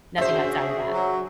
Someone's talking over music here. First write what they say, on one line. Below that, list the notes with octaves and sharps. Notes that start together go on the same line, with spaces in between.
nothing outside of that.
C#3 D4 F#4 G#4 C5 E5
F#3